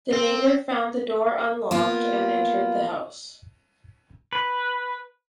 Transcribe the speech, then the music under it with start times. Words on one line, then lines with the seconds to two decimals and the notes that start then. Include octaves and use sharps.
The neighbor found the door unlocked and entered the house.
0.13 C4
1.71 A#3 B3 F4
4.33 B4